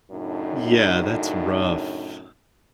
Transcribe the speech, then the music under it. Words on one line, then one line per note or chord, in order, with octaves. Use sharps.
Yeah. That's rough.
F#2 A2 C#3 D4 D#4